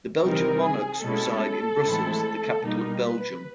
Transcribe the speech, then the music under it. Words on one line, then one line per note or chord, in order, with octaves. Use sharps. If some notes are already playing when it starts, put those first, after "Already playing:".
The Belgian Monarchs reside in Brussels, the capital of Belgium.
C3 E3 G3 C4 D#4 A#4
G#4
B2 G#3 C#4 E4 A4
A2 E3 G#3 C4 E4
B2 G3 A#3 D#4 A#4
B4